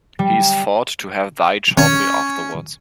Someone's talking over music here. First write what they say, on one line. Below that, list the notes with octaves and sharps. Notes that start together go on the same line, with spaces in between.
He is thought to have died shortly afterwards.
G3
C#4